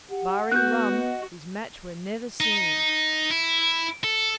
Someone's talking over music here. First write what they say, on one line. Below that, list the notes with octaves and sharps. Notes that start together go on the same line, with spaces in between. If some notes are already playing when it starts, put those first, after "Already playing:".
Barring rum, his match were never seen.
G4 F#5
B3 F#4 F#6 G6
D#5 F#5
D#4
E4
A4